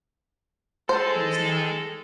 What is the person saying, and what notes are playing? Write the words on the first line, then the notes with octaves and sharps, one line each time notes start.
it was not.
G#3 A4 C5